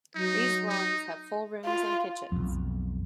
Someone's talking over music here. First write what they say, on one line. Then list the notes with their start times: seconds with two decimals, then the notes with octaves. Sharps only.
These dwellings have full rooms and kitchens.
0.15 F#3 D#4
0.69 D#4
1.65 F4
2.32 B1 F2